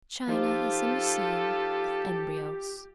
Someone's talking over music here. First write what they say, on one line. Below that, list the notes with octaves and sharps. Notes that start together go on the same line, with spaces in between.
China is a museum of embryos.
F3 D#4 F4 G4 A4 C5